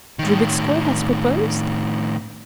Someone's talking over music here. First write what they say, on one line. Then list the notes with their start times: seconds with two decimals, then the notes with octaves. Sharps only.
"Drubetskoy has proposed?"
0.19 A2 D#3